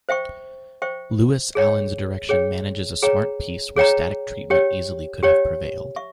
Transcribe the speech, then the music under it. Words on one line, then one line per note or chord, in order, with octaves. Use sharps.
Lewis Allen's direction manages a smart piece where static treatment easily could have prevailed.
C5 E5 G5 C#6
C5 E5 G5 C#6
G#4 C#5 G5
G#4 C#5 G5
G#4 C#5 G5 A#5
G#4 C#5 G5 A#5
G4 C#5 G5
G4 C#5 G5
E5 C#6